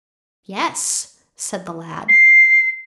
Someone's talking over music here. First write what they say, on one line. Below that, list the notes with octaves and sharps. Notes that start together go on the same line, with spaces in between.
"Yes," said the lad.
C7